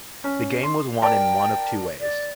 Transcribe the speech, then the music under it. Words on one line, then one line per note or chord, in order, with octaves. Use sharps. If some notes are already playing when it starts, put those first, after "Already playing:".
The game was won in one of two ways.
C#4
C6
A#4 D5 G5 A5
D5